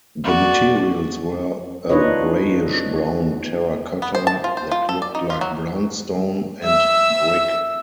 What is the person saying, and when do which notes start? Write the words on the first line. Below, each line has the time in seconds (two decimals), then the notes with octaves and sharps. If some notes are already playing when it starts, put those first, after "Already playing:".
The materials were a grayish-brown terra cotta that looked like brownstone, and brick.
0.24 F#4 D5
1.89 D4 D#4 F4 B4 C#5 D#5
4.02 B3
4.15 C5
4.27 A5
4.44 F4
4.57 C5
4.71 F4
4.89 A4
5.02 D5
5.15 D#4
5.30 F4
5.41 F#3
6.64 E5 E6